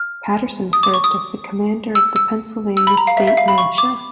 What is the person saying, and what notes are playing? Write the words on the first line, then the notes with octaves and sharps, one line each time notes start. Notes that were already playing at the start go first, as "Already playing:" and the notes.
Patterson served as the Commander of the Pennsylvania State militia.
Already playing: F6
D#6
D6
C#6
D#6
E6
E6
E6
B5
A#5
F5
E5
E5
F5
B5
C#6
D6